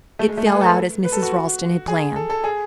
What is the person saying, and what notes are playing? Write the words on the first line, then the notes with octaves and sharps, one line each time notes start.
It fell out as Mrs. Ralston had planned.
A3
G#3
A3
G#4
B4
A4
B4
A4
F#4
G#4
A4
A4
G#4